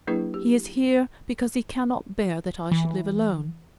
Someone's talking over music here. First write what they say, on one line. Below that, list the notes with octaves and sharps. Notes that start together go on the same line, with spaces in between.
He is here because he cannot bear that I should live alone.
F#3 A#3 D4 E4 G#4 B4
G4
E3